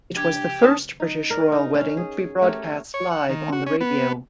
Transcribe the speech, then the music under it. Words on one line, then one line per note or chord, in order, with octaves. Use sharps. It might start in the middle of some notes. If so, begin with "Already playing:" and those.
It was the first British royal wedding to be broadcast live on the radio.
D4 G4 G#6
C#4 D#4 A5 D#6
D#4
A#4 D5
D#4
C#4 F5
G#4
A3 G4 A#4 C#5
C#5
F#5
D#3
F#4
C#4
B3